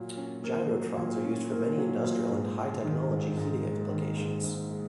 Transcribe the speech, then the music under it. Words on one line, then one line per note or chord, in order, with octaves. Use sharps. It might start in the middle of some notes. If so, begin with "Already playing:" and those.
Gyrotrons are used for many industrial and high-technology heating applications.
Already playing: A#2 F#3 A#3
C#4
A#3
F#3
A#2
C#4
A#3
F#3
A#2
G#2
G#3
D#3
G#2
G#2
G#3
D#3
G#2
G#2
G#3